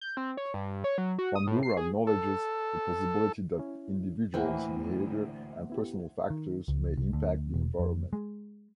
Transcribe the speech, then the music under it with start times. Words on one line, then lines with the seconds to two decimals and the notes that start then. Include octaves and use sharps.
Bandura acknowledges the possibility that individual's behavior and personal factors may impact the environment.
0.01 G6
0.17 C4
0.37 C#5
0.54 G2
0.84 C#5
0.98 F#3
1.19 F#4
1.35 D#6
1.47 A2
1.63 C7
1.77 G#4
2.07 A4
3.58 C#4 E4
4.34 D2 A2 E3 A#3 C5 E5 F#5 G5
5.70 B3 E4 G4
6.30 D#3
6.68 C#2
6.97 C2
7.13 D2
7.54 E1
7.79 F2
8.13 G#3